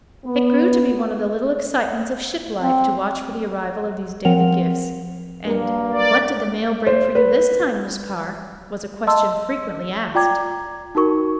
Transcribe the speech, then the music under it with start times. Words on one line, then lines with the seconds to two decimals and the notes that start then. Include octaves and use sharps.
It grew to be one of the little excitements of ship life to watch for the arrival of these daily gifts; and "What did the mail bring for you this time, Miss Carr?" was a question frequently asked.
0.25 B3
2.61 C4
4.25 F3 C4 A#4 F#5 F7
5.44 G2 A#3
5.92 D5
6.87 C5
7.15 B4
9.07 D#5 A5 C6 E6
10.15 F4 D5 G5 A#5 D6 G#6
10.95 D#4 F#4 A#4 C#6